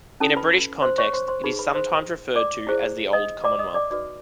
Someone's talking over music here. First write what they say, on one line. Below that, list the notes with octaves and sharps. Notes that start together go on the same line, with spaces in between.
In a British context, it is sometimes referred to as the "Old Commonwealth".
C#4 E4 A4 A5
B4 B5
C5 C6
C#5 C#6
C5 C6
C5 C6
D#4 G#4 B4 B5
B4 B5
C5 C6
D5 D6
E4 G#4 C5
D#5 D#6
D5 D6
D#5 D#6
D5 D6
D#4 F#4 B4 D5 D6